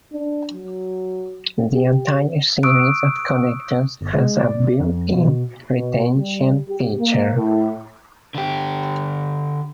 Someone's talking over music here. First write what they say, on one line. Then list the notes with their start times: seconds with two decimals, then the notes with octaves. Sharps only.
The entire series of connectors has a built-in retention feature.
0.13 D4
0.53 F#3
1.75 G4
2.63 C#6 D#6 E6 F#6 D7
4.01 G1
4.13 G#3
4.40 D5
4.80 F2
5.14 B2
5.75 B2
6.16 G3
6.69 G4
6.99 A#3
7.36 A2
8.35 D3 G4